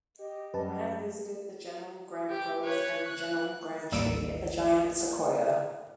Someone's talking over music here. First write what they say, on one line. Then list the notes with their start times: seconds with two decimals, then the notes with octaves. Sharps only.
Grant visited the General Grant Grove and the General Grant tree, a Giant Sequoia.
0.19 G4 D#5
0.54 F#2 G3 B4 A5
2.30 G4
2.63 B4 C#5
3.07 F#6
3.92 A1 D#2 G3 E6 D7